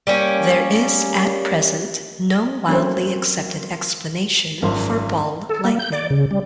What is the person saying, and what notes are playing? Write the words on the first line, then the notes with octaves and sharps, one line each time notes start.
There is at present no widely accepted explanation for ball lightning.
G3 A#3 C#4
F#3 A3 A#3 C4 C#4 C5
G#1 F#2 F3 A#4 C6
A4
A#3
G6
D5
C#3
G3